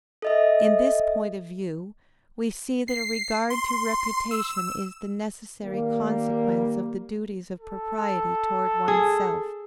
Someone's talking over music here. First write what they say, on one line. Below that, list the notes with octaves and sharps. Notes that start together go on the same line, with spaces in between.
In this point of view, we see that a regard to reputation is the necessary consequence of the duties of propriety toward one's self.
A4 D#5 E5
C7
C6
E6
D#3 G3 A#3
A4
G#4